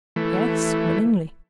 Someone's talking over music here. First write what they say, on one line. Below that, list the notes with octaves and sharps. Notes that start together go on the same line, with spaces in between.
"Yes, willingly."
E3 A3